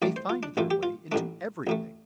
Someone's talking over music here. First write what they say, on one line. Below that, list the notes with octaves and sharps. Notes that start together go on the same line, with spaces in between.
They find their way into everything.
A1 A2 A3 D5
C5
F4
D4
A1 A2 A3 F4
G4
F4
A1 A2 A3 D4
A1 A2 A3